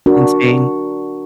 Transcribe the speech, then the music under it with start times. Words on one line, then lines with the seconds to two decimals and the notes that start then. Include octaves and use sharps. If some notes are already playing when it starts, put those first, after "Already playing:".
in Spain?
0.06 D4 F#4 A#4